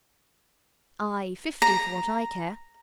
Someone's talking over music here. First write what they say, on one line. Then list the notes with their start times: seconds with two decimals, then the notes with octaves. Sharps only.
Aye, fifty, for what I care.
1.62 A#5